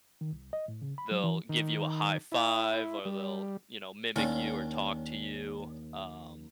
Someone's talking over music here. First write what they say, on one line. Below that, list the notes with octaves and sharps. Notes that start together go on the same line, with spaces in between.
they'll give you a high five, or they'll, you know, mimic you or talk to you, um
D#3
C2
D#5
A2
C#3
B5
F#3
E3
D#3
E4
G3
D#2 D#3 C#4 D4